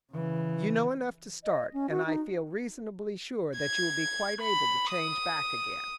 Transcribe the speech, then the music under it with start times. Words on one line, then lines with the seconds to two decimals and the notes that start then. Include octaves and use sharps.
You know enough to start, and I feel reasonably sure that you will be quite able to change back again.
0.12 C#3 E3
1.44 D#5
1.73 C#4
1.90 F#4
2.06 D#4
3.58 G#6
4.41 B5
4.91 D#6